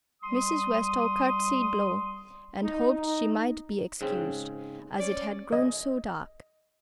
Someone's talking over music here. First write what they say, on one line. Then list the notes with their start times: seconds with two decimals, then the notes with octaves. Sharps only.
Mrs. Westall curtsied low, and hoped she might be excused, as it had grown so dark.
0.22 G3 C6 D#6
2.63 D#4
2.94 D#4
4.01 G#2 C#3 C4
5.00 C#4 D5
5.53 D#5